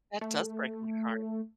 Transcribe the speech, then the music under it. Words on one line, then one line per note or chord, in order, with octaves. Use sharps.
That does break my heart.
A3